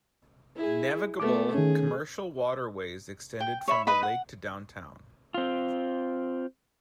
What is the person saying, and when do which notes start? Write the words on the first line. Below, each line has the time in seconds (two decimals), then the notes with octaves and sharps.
Navigable commercial waterways extended from the lake to downtown.
0.56 E4 G#4
1.20 A3 B3 D6
1.54 D#3 C#4 G#4
3.40 G5
3.68 C#5 E5 B5
3.87 B4 D#5 B5
4.03 F#5
5.34 C4 F4